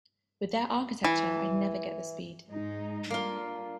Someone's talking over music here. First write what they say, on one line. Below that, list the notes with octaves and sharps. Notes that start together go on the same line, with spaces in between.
With their architecture I'd never get the speed.
E3
G#2 G#3 D#4
G3 A#3 D4 F4